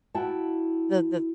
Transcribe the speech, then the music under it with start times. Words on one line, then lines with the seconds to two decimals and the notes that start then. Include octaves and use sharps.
the the
0.14 E4 F#4 G5 A5